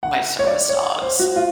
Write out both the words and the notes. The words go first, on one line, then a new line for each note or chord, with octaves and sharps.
my service dogs
F#5
C#5
D5
C#5
C5
F#4
F4